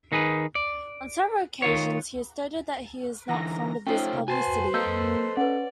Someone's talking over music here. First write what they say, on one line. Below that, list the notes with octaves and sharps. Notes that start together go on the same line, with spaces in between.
On several occasions he has stated that he is not fond of this publicity.
D#3 D#4 G#4 B4
D5
D#3 F4 C#5
D3 E3 A#5 A#6
A3 C#4 D#4 F4 C5 G5
F#4 B4 C5 G#5 A5
A#3 A4 A#4 D#5 A5 E6 G6
C#4 B4 D5 F#5